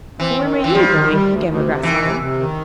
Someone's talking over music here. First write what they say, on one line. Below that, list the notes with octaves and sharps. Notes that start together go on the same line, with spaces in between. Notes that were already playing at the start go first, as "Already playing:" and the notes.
'And where may you be going, Gammer Grasshopper?'
E3 C4
D#3
C4
E3
F3 G3
D#3
G3
D2
D2
C3
D#3 E3
C3
C3
D#3